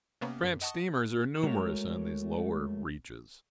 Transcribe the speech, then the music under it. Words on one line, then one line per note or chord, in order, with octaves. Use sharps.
Tramp steamers are numerous, on these lower reaches.
C3 A#3 B3 C#4
F#2
D#5 F#5 A5 C#6 D#6
F#3 G#3 A3 F#4 A#4 C#5